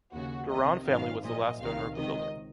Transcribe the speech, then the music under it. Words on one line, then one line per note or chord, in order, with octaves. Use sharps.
Duran family was the last owner of the building.
D#2 C#3 F#4
C2 C3 D#3 D#5
G#1 F#2 D#3 F5
A#1 A#2 D#5
C2 C3 D#3 F5
C#2 C3 D#3 D#5